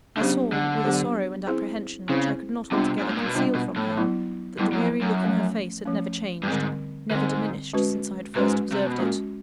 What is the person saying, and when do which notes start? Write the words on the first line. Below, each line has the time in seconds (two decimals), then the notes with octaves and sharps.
I saw, with a sorrow and apprehension which I could not altogether conceal from her, that the weary look in her face had never changed, never diminished since I had first observed it.
0.17 D3
0.20 C#3 F#3 B3 D4 G4 C5
0.52 D3
0.84 F#3 B3 D4 G4 C5
1.47 C4 E4 G#4 C5
2.09 C#3 C4 E4 G#4 C5
2.71 C3 G3 B3 D4 F4
2.99 G#2
3.09 A2
3.17 A#2
3.26 B2
3.35 C3 G3 B3 D4 F4
3.55 B2
3.76 A2
3.97 F#3 B3 E4
4.59 G2 F#3 B3 E4
4.73 F#2
4.81 F2
5.02 F#2
5.23 F3 A3 C#4
5.85 F3 A3 C#4
6.43 G2
6.48 G#2 D3 G3 C4
7.10 G#2 D3 G3 C4
7.73 G#3 C#4 F#4 B4
8.35 G#2 G#3 C#4 F#4 B4
8.72 C3
8.86 B2
8.99 A#2 G#3 C#4 F#4